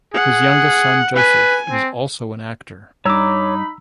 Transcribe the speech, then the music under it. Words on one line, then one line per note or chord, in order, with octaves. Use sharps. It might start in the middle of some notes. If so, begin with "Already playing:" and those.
His youngest son, Joseph, is also an actor.
G#4 F#5
B4 G#5
C4
G2 D#4 C#5 A#5 B5 D6 E6